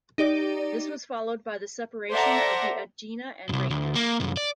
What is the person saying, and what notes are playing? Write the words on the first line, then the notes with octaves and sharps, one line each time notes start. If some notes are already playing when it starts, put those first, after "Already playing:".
This was followed by the separation of the Agena and Ranger.
D#4 G4 D5
A4 C5 D5 E5 F#5 A#5
C2 F#2
D2
A#3
C2 F#2
D5